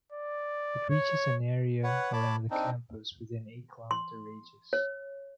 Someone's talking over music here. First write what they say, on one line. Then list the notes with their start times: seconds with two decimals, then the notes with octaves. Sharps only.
It reaches an area around the campus within eight-km radius.
0.12 D5
0.89 C#5
1.83 B4 C#5 F#5
2.13 C#5 A5 B5 D6
2.51 C4 D4 D#4
3.91 C6
4.73 C#5